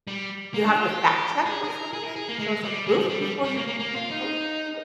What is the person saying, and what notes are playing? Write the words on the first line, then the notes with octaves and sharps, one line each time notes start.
You have to fact check or something, show some proof before you you post it.
G3
A#3
D4
F4
G4
G#4
G#4
A#4
G#4
A#4
G#4
A#3
G#3
G3
G#3
G3
G3
G3
G3
A#3
A#3
A#3
F4
D#4